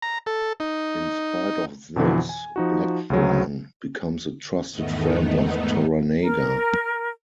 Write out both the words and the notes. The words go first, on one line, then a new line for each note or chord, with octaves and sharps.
In spite of this, Blackthorne becomes a trusted friend of Toranaga.
A#5
A4
D#4
F2 B2 D3 E3 F3
G#5
F3 D#4 F#4
D2 C#3 F#3
E2 G#2 D#3 A3 B3 D#4
A#4